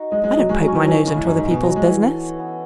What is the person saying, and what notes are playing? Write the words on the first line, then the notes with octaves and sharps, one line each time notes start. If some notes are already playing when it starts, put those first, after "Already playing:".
I don't poke my nose into other people's business.
Already playing: D#4 F#4
G#3 D#5
G#3
D#5
F#3
G#3 C#4
F#3
C#4
E3
F#3
E3 C#4
D#3
C#3 C#4
A2
F#2 G#3
G#2
F#4
B2
F#3 F#4
G#3
F#4
E3
A4
B3
B3